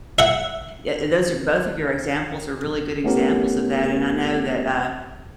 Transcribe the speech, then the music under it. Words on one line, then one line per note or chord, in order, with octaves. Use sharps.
ye those are both of your examples are really good examples of that and I know that, uh,
E5 F#5
A3 B3 C#4 E4 G4 A#4